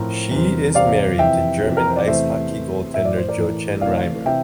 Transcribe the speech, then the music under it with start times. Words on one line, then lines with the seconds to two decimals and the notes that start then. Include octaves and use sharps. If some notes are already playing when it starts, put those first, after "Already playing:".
She is married to German ice hockey goaltender Jochen Reimer.
Already playing: A2 F3 C4 A#4
0.31 E2 C3 G3 C4
0.75 E2 C3 G3 C4 D5 F5
1.19 F2 C3 E3 E5 G5
1.62 F2 C3 E3
1.77 A#4
1.87 C5
1.97 D5
2.06 E2 C3 E3 A3 C5 E5
2.50 E2 C3 E3 A3
2.94 A2 E3 A3 E5
3.05 D5
3.17 C5
3.28 A#4 D5
3.38 A2 E3 A3
3.81 C3 E3 A3 D5 F5
4.25 C3 E3 E5 G5